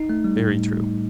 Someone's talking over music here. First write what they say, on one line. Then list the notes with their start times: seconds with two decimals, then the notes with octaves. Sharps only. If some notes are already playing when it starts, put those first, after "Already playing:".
Very true.
Already playing: D#4
0.10 A3
0.24 G3
0.40 A2